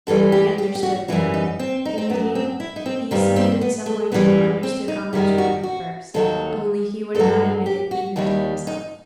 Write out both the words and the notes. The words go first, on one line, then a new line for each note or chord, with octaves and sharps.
He understood now: indeed, he seemed in some way to have understood almost from the first, only he would not admit it even to himself.
F#2 E3 G3 A4
G4
G4
G4
F#4
F#2 E3 G3 E4
D#4
C4
D#4
C4
F#2 F#3 B3
C4
E4
D#4
C4
G2 D#3 G3 C4
C4
B3
A3
F#2 E3 G3 B3
C4
D#4
F#2 D#3 G3 E4
F#4
F#4
D#2 D#3 F#3 A4
G2 F#3 A4
G4
F#4
D#2 D#3 G3 E4
D#4